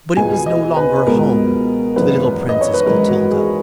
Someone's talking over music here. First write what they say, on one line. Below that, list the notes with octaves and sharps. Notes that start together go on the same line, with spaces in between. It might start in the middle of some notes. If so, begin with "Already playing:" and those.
But it was no longer "home" to the little Princess Clotilda.
C#2 B2 G#3 B3 G#5
D#5
B4
C#2 B2 G#3 B3 A#4
G#1 F#2 E3 G#3 B4
D#5
C#5
B4
G#1 F#2 E3 G#3 A#4
F#4
G#4